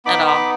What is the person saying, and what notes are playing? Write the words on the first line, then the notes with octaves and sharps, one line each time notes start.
at all.
B3 D#4 B5 D6
B5 D6